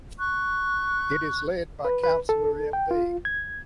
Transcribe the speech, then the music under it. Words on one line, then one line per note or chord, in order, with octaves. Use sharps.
It is led by counselor Md.
C#6 F#6
B4
B4
A4
G5
F4
G#6